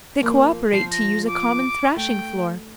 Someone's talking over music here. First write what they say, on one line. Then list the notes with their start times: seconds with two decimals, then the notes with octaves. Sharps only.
They co-operate to use a common thrashing floor.
0.22 F3 A#3
0.73 F3 C7
0.91 A#6
1.27 D6
1.96 A3 G5